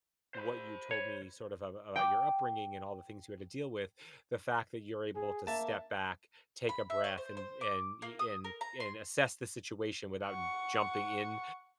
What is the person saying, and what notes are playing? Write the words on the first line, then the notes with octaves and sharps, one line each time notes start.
what you told me, sort of, ab about your upbringing, and all the things you had to deal with, the fact that you're able to step back, take a breath, and and e and and assess the situation without jumping in,
C5 B5
C#5
G5 D6
G#4
A#3 E5 A5
B5
E5
C#5
C5
C5
D6
A#3
D#6
A#4
A#5
C6
F#5 C#6